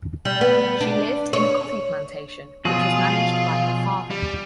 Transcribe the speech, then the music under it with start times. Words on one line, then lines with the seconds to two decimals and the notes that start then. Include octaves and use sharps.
She lived in a coffee plantation which was managed by her father.
0.25 G3
0.41 B3
0.81 D4
1.33 C#5
2.65 B2 F3 F#3 F4 G#4
4.10 G3